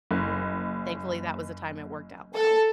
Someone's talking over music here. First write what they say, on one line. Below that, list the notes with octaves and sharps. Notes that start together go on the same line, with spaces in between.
thankfully, that was the time it worked out well.
F#1
A4